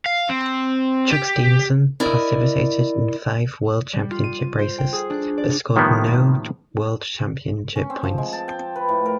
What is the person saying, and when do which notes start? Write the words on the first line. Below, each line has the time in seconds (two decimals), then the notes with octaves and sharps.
Chuck Stevenson participated in five World Championship races, but scored no World Championship points.
0.06 F5
0.29 C4
1.11 G4
2.00 E4 A#4 D5 D#5
3.93 G3
4.11 F4
4.24 D#7
4.59 C5
4.78 G5
4.93 G#4
5.10 D4
5.38 D5
5.76 A2 D#3 F3 G3 A#3 B3
7.76 C#4
7.90 C4
8.03 F3
8.18 G#3
8.33 A5
8.48 G5
8.76 B4
8.89 A2
9.06 A#4